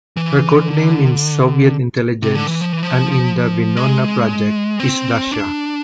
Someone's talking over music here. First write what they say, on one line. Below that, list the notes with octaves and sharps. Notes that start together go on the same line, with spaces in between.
Her code name in Soviet intelligence and in the Venona project is "Dasha".
E3
D3
C3
D3
E3
F3
E3
F3
G#3
C4
D4